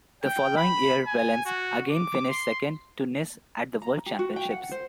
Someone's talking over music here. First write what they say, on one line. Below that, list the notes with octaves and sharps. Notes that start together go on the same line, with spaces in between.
The following year Wellens again finished second to Nys at the World Championships.
G5
B5
G#5
F#4
D6
C6
A#5
G4
F#4
G5
F#5
C5